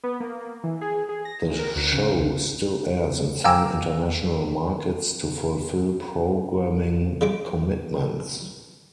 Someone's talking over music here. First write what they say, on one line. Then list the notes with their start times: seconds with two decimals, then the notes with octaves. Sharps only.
The show still airs in some international markets to fulfil programming commitments.
0.04 B3
0.20 A#3
0.64 E3
0.81 G#4
1.09 G#4
1.25 A#6
1.43 E2
1.59 A#4
1.76 D2
1.93 C#3
2.13 C#2
3.44 F5 G5 G#5 A#5 D6 E6
7.21 C#3 G3 G#3 D6